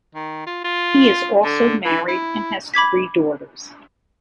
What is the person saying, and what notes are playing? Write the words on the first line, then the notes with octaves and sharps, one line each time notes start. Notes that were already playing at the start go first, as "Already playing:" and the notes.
He is also married and has three daughters.
D#3
F4
F4
D3
E3
E4
B5 D6 G#6 B6